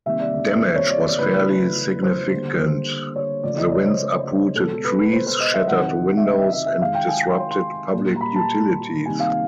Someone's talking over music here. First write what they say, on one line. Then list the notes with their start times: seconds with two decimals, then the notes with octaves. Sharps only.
Damage was fairly significant; the winds uprooted trees, shattered windows, and disrupted public utilities.
0.06 C3 D#3 G3 A#3 E5
0.19 D5
0.62 C5
0.76 C#5
0.90 D5
1.04 C#5
1.18 C#3 E3 A3 B4
2.03 C5
2.31 D3 G3 A#3
2.59 C5
3.16 C#5
3.43 C#3 F3 A3 D5
3.57 D#5
3.72 C#5
3.86 C5
4.55 B2 G#3 A4
4.85 B4
5.13 C5
5.27 C5
5.40 D#5
5.54 E5
5.68 C3 D#3 F#3 F#5
6.17 E5
6.24 D#5
6.39 E5
6.53 E5
6.66 E5
6.81 D#3 G#3 F5
6.95 G5
7.08 G#5
7.38 C6
7.51 C6
7.93 A#2 G3 A#3
8.16 A#5
8.21 B5
8.36 A5
9.05 C3 D#3 G3 A#3 G#5
9.20 F5